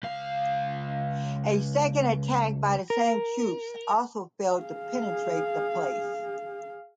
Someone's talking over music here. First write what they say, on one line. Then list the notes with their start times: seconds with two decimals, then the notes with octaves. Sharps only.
A second attack by the same troops also failed to penetrate the place.
0.03 C#2 F5
2.90 A#4
4.60 G#4 F5